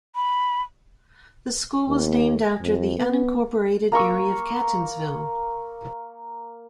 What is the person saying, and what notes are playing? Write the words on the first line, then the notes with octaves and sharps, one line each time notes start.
The school was named after the unincorporated area of Catonsville.
B5
D#2
F2
B3
A#3 A#5 C#6 E6